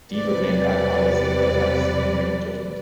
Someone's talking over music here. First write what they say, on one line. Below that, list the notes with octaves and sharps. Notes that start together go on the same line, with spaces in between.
Deaver blamed alcoholism for lapses in memory and judgment.
E2 C3 G3 B4 D5